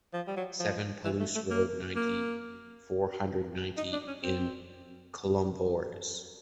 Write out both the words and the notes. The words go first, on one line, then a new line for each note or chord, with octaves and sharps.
Seven, Pallus road, ninety, four hundred ninety in Colombiers.
F3
G3
F#3
F3
E3
A3
A3
A#3
A#3
D#4
D4
C#4
C4